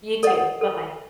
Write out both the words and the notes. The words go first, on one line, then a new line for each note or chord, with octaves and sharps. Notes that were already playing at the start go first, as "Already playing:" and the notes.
You too. Bye-bye.
A4 D#5 F#5
A4